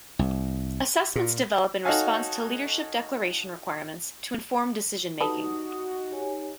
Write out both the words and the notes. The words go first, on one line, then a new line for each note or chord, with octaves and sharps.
Assessments develop in response to leadership declaration requirements to inform decision making.
C2
A#2
D#4 F#4 A4 C#5 F5 G#5
G3 D#4 F#4 A4 B4 D#6
G4 C#5 G#5